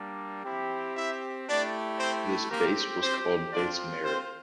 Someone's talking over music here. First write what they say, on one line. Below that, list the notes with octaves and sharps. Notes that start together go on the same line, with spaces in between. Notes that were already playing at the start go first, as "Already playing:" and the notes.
This base was called Base Marret.
Already playing: G3 A#3 D4
C4 E4 G4
E4 E5
A3 D4 E4 G4 D5
C4 C5
A#3 C4 G4 A#4
C4 C5
C4 D4 F4 D5
C4 C5